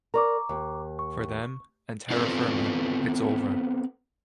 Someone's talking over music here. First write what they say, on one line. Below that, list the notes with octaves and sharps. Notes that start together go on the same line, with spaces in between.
For them and Terra Firma it's over.
A#4 D5 A#5 C#6 D6
D#2
C#6
B3 C4 F4 A4 B4